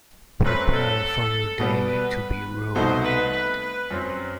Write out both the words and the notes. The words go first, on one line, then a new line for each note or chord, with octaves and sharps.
Prepare for your day to be ruined.
F#2 F#3 A3 C4 B4
A4
B2 G3 B3
B4
C2 B2 A3 D#4 C5
B4
B4
B4
F#2 F#3 C4